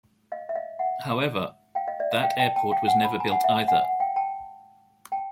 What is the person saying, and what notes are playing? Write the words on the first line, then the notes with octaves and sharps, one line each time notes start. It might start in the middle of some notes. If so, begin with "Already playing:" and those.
However, that airport was never built either.
D#5 F5
E5
D#5 F5
E5 F#5
F5 G5
D#5 F5
D5 E5
D#5 F5
F5 G5
G5 A5
G5 A5
F5 G5
F#5 G#5
A5 B5
G#5 A#5
F#5 G#5
E5 F#5
F#5 G#5
F#5 G#5
F5 G5
G5 A5
G5 A5